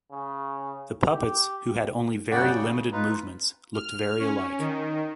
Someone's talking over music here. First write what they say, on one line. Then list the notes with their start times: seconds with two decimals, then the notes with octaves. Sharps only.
The puppets, who had only very limited movements, looked very alike.
0.11 C#3
1.09 G4
2.31 F#2 A2 C#3 D5 F#5 G5
2.53 C#3
2.92 D#4 F4 B4
3.74 F6
4.19 C#4
4.59 D#3